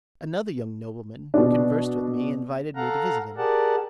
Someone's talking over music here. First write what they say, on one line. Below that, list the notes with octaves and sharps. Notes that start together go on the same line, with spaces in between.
Another young nobleman, who conversed with me, invited me to visit him.
B2 D4
A4 F5 F#5 A#5
G4 G#4 A#4 D5 F#5 A5